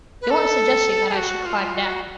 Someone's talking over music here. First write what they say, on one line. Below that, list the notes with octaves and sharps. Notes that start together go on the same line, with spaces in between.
You aren't suggesting that I should climb down?
B4
A4
F#4
F4
F#4